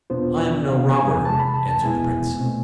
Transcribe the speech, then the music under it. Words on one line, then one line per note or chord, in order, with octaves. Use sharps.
'I am no robber,' answered the prince.
E2 B2 B3 D4 F4 C5
D5
C3 E3 B3 D4 F5
G#5
C3 E3 G#3 A5
B5
A5
A5
B2 G#3 B3 E4 G#5
B2 A3 C4